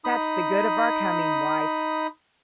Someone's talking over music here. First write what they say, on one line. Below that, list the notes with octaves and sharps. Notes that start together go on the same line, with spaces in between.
"That's the good of our coming, wife."
D#4 B5 D#6